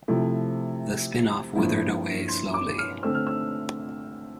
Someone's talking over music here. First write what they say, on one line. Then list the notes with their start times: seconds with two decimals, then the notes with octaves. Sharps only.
The spin-off withered away slowly.
0.08 C3 F3 A3 E4
1.56 G2 F3 A#3 E4
2.29 C6
2.54 D6
2.78 F6
3.03 D3 A3 C4 E6
3.14 F6
3.27 E6